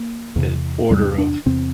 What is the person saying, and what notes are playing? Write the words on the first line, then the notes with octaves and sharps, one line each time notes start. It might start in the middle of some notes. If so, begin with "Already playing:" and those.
the order of
Already playing: A#3
E2 C3
E2 C3 G3
D4
E2 C3 C4